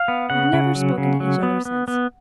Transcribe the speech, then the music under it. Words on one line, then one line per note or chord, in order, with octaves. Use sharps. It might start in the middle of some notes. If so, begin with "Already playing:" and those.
We've never spoken to each other since.
Already playing: F5
B3
C#3 F#5
C#3
F#3
C#3
F#3
B3
B3
B3